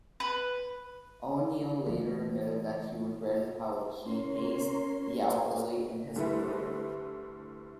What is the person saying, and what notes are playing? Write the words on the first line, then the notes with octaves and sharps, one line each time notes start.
O'Neal later admitted that he regretted how he hazed Yao early in his career.
B4
E3 A3
C#4 A#4 C#5 C6
D2 G3 A3 E4 B4